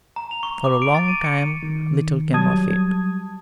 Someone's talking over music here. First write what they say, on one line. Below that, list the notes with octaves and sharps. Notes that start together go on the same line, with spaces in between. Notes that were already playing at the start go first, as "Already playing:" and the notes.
For a long time little came of it.
A#5
F7
C#6
D6
D7
A6
D#7
C#7
D#3
F#3 G3 A5 D#6 G#6